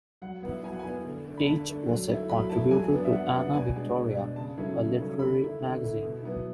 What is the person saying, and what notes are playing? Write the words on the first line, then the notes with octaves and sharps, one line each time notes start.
Eich was a contributor to "Ana Victoria", a literary magazine.
F#3 F#5
B3 E4 F#5
F#3 G#5
F#5
G#5
B3 E4
D3
A3 D4
B5
D3 A5
A3 D4
F#3
A3 E4
F#3 B5
A3 E4 A5
F#3 G#5
B3 D4
E5
F#3 F#5
F#5
B3 D4
F#5
B2 G#5
G#3 D4
B2
G#3 D4
C#3 A5
F#3 A3 C#4 E4
C#3
F#3 A3 C#4 E4
D3 B5
A3 E4
D3
A3 E4
B2
F#3 B3 E4